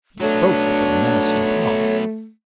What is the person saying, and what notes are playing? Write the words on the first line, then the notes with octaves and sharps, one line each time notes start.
He spoke with a menacing calm.
F#3 A3 B3 D4 C#5